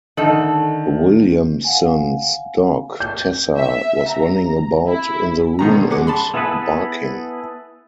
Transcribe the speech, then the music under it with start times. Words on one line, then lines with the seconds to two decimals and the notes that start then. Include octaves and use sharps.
Williamson's dog, Tessa, was running about in the room and barking.
0.17 D3 D#3 A3 D#4 A4 F#7
1.65 F5 F#5 G#5
3.00 G6
3.57 E5
4.10 A#5
4.88 E4
5.59 B2 D#3 A#5
5.74 D3
5.91 G#3 F#5 D6
6.07 A5 B5 C6
6.34 B3 E4 G#4 A4 B4